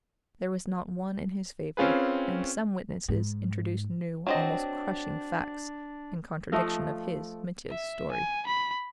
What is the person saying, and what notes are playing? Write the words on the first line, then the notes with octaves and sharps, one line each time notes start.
There was not one in his favor, and some witnesses introduced new, almost crushing facts, in contradiction of his, Mitya's, story.
C4 C#4 F4 G#4 B4
G#2
F#3 C4 D4 D#5
F3 A3 D#5 F5
E5
G#5
B5